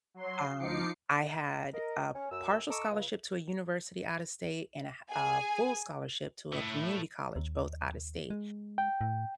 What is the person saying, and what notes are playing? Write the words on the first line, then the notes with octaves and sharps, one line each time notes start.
Um, I had a partial scholarship to a university out of state and a ha uh, full scholarship to a community college, both out of state.
F#3 C6
F3 D#4 D6 C7 C#7
A#4 D#5
C#4
F#2 E6
A4 D#5 A#5 C#6 D6 E6
C#2 C#3
G#4 G#5
A3 E4
D#2
G#3
G5
A2